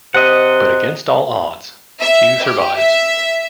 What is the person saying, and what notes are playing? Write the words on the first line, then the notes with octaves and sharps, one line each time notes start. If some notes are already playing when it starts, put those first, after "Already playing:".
But against all odds - Hugh survives.
C3 D#5 F#5
E5
G4
E5